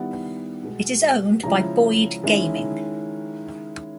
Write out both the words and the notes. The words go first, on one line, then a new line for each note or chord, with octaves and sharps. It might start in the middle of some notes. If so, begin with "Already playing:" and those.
It is owned by Boyd Gaming.
Already playing: D#3 G3 B3 E4 F#5
B2 G#3 B3
C#3 F3 G#3 C#4 E4 A#5
D#3 G#3 C#4 E4